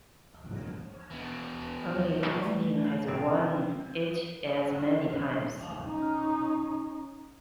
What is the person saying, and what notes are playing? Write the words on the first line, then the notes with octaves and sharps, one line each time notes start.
Only Ponting has won it as many times.
B2 E3
E3 A3
C4
C#4 D#4